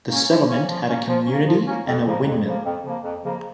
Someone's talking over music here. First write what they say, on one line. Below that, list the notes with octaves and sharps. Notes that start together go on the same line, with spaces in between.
The settlement had a community and a windmill.
A#3 C#4
F3
A#3 C#4
F3
A#3 C#4
F3
A#3 C#4
F3
A#3 C#4
F2
C#3 F3 A#3
F2
C#3 F3 A#3
F2
C#3 F3 A#3
F2
C#3 F3 A#3